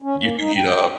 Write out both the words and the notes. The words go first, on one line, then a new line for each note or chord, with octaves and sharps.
you can heat up.
C#4
A#3
D#4
G5